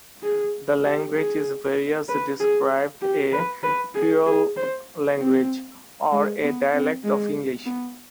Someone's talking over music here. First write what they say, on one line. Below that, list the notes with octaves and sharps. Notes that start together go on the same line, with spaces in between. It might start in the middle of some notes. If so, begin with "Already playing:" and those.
The language is variously described a creole language, or a dialect of English.
G#4
G4
G#4
B4
G#4
G4
B4
B4
G#4
G#4
C5
C4
G#3
B3
C4
G#3
B3